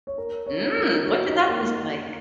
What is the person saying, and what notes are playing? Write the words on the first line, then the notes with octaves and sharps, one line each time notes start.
Mm! What did that taste like?
C#5
A#4
C#5
A#4
F#4
D#4
A#3